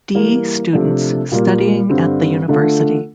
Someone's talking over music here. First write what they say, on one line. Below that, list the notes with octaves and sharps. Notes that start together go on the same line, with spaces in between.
D. students studying at the university.
E3 G3 A#3
C3 F3 A3 D4
A#2 G3 A#3
G2 D3 G3 C4
D3 A3 D4 F4